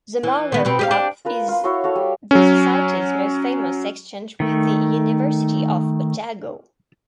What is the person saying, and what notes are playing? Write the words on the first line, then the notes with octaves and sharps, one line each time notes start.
The Marlowe Cup is the societies most famous exchange with the University of Otago.
E3
D#3 B3
B2 B3 C4
G4 G#4 F5
D4 G4
F4 A#4 B4
F4 C6
E4 F#4 C#5 C6
F#4 A4 F5
G3
F#3 C#4
D#3 A3